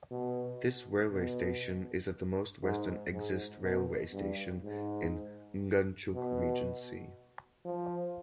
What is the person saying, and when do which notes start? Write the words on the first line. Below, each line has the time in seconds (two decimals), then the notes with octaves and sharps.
This railway station is at the most western exist railway station in Nganjuk Regency.
0.11 B2
1.11 B2
2.63 G#2
3.12 G#2
3.62 B2
4.13 G2
4.63 G#2
6.14 B2
7.65 F3